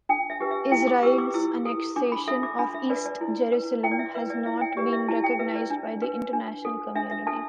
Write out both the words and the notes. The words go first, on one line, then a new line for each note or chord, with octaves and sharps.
Israel's annexation of East Jerusalem has not been recognized by the international community.
D4 G5
E5
G4 B4
E5
E4 G5
D6
G4 B4 E6
D6
E4 E6
A4
D4 D6
B5
A4 E5
D6
D4 B5
E5
B4 D5
D5
E4
B4
E4 G5
D5
E5
B4 E5
D5
E4 E5
G5
G4 B4 D5
E5
E4 A5
G5
B4 E5
D5
D4
B4
D4
A4
D4 E5
E5
A4 A5